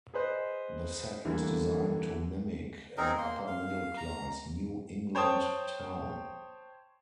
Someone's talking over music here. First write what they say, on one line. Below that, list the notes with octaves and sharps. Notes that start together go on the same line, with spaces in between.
The set was designed to mimic an upper-middle class, New England town.
G#4 B4 C5 D#5
D3 E3 G3 A3 A#3 E4
C4 D#4 G#4 A#4
A#3 C6
F5
A#5
C5 C#5 G5 A5 D#6